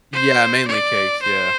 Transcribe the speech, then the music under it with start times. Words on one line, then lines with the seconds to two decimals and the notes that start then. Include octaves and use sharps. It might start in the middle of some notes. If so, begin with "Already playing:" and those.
Yeah, mainly cakes, yeah.
0.13 C5
0.68 D5
1.23 C5